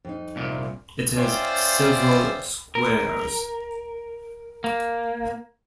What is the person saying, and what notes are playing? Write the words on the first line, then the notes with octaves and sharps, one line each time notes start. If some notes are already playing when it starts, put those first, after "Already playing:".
It has several squares.
F2 D#4
C2 A#2
C#4 F4 C5 D5 E5 G5
A#4
A#3